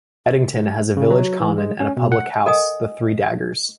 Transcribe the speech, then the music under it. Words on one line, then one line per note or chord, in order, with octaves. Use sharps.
Edington has a village common and a public house, the "Three Daggers".
C#3
F#3
E3
G#3
C#4
B2
F#5
A4 A#4 D#5 F#5 G#5 D#6